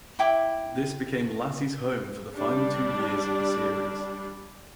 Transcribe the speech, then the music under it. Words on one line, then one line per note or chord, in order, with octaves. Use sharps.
This became Lassie's home for the final two years of the series.
E4 G5 D6
G3 D4